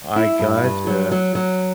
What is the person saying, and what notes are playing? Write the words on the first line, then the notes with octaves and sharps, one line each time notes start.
I gotcha.
E4
G2
G2
F#3
F#3
F#3